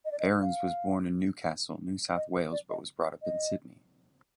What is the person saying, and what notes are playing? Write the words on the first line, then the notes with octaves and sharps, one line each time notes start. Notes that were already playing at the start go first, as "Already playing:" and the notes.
Aarons was born in Newcastle, New South Wales but was brought up in Sydney.
D#5
D5
D#5
F5
D#5
C5
D5
D#5
D#5